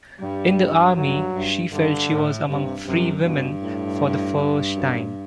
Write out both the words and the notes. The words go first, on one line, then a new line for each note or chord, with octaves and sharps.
In the army, she felt she was among free women for the first time.
G2 G3
G2 F#3
G2
G2 D3
A2
G2 C3
F#2 C3
G2 B2
A2
F#2